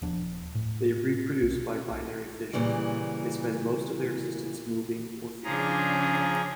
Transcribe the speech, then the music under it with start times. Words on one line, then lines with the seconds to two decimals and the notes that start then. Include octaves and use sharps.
They reproduce by binary fission.They spend most of their existence moving or feeding.
0.02 D#1 F3 B3 D4
0.55 A2
1.43 B1
2.53 A#2 C#3 E3 G3
5.44 C#3 F3 C#4 D4 G#4 A#5